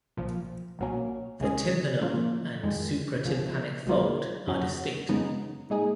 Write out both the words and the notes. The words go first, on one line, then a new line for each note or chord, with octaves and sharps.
The tympanum and supratympanic fold are distinct.
B1 A#2 F3
B1 A#2 F#3 A#3 C#4
C#2 C#3 G#3 C#4 G#4
C#3 F3 A#3 F4
F2 D#3 G#3
C#2 C#3 F3
C#2 B2 F#3 A#3 F4
F2 C#3 F#3 C#4 F#4
F#2 C#3 G#3 B3 D#4
A#2 G#3 D#4 G#4